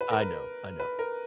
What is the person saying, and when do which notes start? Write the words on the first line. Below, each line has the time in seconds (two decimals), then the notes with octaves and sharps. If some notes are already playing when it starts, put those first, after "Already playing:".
I know, I know.
0.01 B4
0.11 A#4
0.21 B4
0.80 B4
0.99 A#4